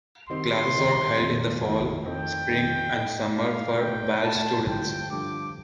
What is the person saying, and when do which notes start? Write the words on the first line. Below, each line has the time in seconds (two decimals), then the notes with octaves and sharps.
Classes are held in the fall, spring and summer for Walsh students.
0.29 D#3 G3 C4 D#4 C6
0.74 D#3 G3 C4 D#4
1.17 F2 D#3 A3 C4 D#4
1.61 F2 D#3 A3 C4 D#4
2.05 F2 D#3 A3 C4 D#4 G5
2.49 F2 D#3 A3 C4 D#4
2.93 A2 A3 D#4
3.36 A2 A3 D#4 F5
3.80 A2 A3 D#4 G5
4.23 A2 A3 D#4 A5
4.67 G2 D3 F3 G5
5.11 G2 D3 F3 D6